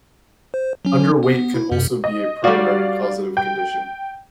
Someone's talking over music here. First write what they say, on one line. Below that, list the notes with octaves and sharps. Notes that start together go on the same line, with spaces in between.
Underweight can also be a primary causative condition.
C5
F#3 C#4
B3
E4
F#2 C3
D#5
G3 F#4 D5 F5
G5